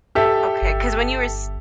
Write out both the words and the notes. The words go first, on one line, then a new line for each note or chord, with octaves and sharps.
Okay, 'cause when you were s
G4 A4 E5
G1